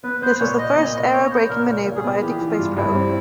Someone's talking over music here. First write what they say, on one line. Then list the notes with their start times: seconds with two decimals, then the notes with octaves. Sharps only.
This was the first aerobraking maneuver by a deep space probe.
0.04 B3 B4
0.22 B3 C5
0.40 A#2 C#5
0.58 A#2 D#5
0.77 A#2
0.95 B3
1.13 B3 C#5
1.31 B3 C5
1.49 A#2 A#4
1.67 A#2
1.86 A#2
1.95 G#4
2.04 B3
2.22 E3 G4
2.41 E3
2.49 F4
2.59 G2
2.77 G2 E4
2.95 C4